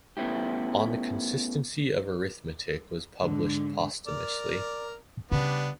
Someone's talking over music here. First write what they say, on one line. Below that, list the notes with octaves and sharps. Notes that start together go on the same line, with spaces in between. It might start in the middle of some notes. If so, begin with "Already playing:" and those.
"On the consistency of arithmetic" was published posthumously.
A3 B3 C#4 E4 G4
G#2 D3
A#4 D5
C#3 G3 B3 D4